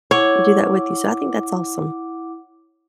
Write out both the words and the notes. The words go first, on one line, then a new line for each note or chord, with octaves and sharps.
do that with you. So I think that's awesome.
E4 C#5 F#5 D6